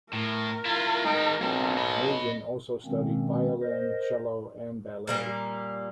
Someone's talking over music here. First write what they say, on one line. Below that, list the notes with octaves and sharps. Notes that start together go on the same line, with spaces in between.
Magin also studied violin, cello and ballet.
A2 A#4
E4 F4
G#3 D#4 G5
B1 A#3 C4
D#5 B5
B2 D#3 G#3 A#3 C4 C#4
A#4 C5 D#5
A#2 G3 A#3